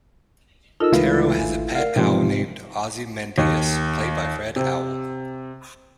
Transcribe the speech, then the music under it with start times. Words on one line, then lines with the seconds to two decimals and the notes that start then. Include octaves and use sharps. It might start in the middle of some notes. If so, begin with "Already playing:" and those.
Tarot has a pet Owl named Ozymandias, played by Fred Owl.
0.80 D#4 F4 A4 A#4 D#5 E6
0.92 C#2 E3 A3 E4 F4 B4
1.39 G#1 G#5
1.75 A#4 D5 F5 F#5
1.96 B1 G#2 C3 E3 F3
3.38 D#2
4.56 C3